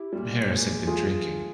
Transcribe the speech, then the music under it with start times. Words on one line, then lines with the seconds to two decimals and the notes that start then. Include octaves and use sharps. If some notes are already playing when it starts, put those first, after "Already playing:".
Harris had been drinking.
Already playing: E4 G4
0.13 A#2 G3
0.51 A#2 G#3
0.87 F3 G#3 F4 G#4